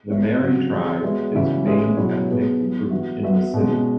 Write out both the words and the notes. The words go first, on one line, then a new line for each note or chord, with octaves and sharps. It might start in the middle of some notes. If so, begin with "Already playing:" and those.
The Marri tribe is main ethnic group in the city.
B3 E4 C#5 E5
C#3 F#3 C#4 F#4
E3 C#4 G#4 C#5
G#3 B3 F#4 C#5 E5
C#3 E3 C#4 F#4 E5
G#3 C#4 G#4 B4 E5
B2 F#3 E4 C#5
B2 B3 G#4 B4
F#3 B3 E4
E3 B3 F#4 E5
B3 F#4 B4 E5
B2 G#3 C#4